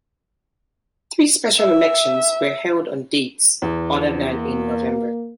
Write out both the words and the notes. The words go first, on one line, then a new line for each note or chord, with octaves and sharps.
Three special elections were held on dates other than in November.
E5
E2
F3 D4
A#3